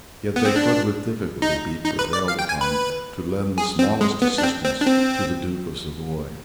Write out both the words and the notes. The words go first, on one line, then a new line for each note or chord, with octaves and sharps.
Yet they could with difficulty be prevailed upon to lend the smallest assistance to the Duke of Savoy.
B3
C4
D4
D#4
D#4
B4
D5
F5
G5
G#5
B4
G#4
C4
G#3
B3
D4
C4
C4
D4
C4